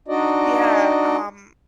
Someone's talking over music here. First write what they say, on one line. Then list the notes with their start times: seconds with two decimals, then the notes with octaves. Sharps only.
Yeah, um,
0.08 D4 D#4 F#4 D5 D#5